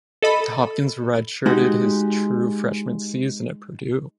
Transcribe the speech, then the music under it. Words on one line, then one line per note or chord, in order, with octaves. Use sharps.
Hopkins redshirted his true freshman season at Purdue.
A4 D#5 B5
G#3 D#4 F#4 G4